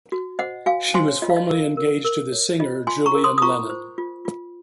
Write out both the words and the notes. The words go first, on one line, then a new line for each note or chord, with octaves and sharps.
She was formerly engaged to the singer Julian Lennon.
F#4
C5 D#5 F#5
F#4 F5 G#5
C5 G#5 C6
C#5
F4 D#5
F5
D#5
A#4
A#4
A#4
C#5
F4 D#5
F4 G#5 C6
A#5 C#6
A#4
C6 D#6
D#6
F4 A#5 C#6
C5
F4
F4